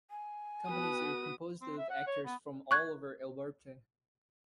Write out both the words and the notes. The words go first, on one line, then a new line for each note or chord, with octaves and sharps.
Companies are composed of actors from all over Alberta.
G#5
B3 F#4 B4 D#6
C4
E5
F#5
C#5
B3
C#6 F#6 G#6